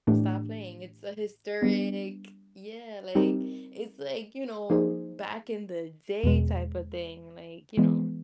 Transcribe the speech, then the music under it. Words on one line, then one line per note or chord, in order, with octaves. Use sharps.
stop playing. It's a historic, yeah. Like, it's like, you know, back in the day type of thing, like, you know,
A2 E3 A3 D4 G4
G3 B3 D4
G3 C4 D#4 G4 A#4
F3 A#3 D#4 G#4 C5
E2 B2 G#3
E3 G#3 B3